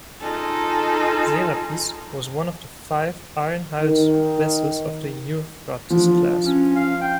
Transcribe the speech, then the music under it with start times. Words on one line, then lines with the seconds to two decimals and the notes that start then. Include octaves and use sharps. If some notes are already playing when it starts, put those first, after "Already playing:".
"Serapis" was one of five iron-hulled vessels of the "Euphrates" class.
0.20 D#4 F4 G#4 A4
3.81 D#3
5.90 F3 D4
6.45 C#4
6.76 F5
7.01 G5